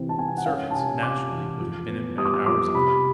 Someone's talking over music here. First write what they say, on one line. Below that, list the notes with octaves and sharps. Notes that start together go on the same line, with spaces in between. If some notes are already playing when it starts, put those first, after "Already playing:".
The servants, naturally, would have been in bed hours ago.
Already playing: C3 E3 C4
A5
C4 G#5
G5
F#5
C#4 F5
A5
C3 G#5
C3 D6
E3
F2
B3
G3 D#6
D6
D#6
F2 D6
C3 B5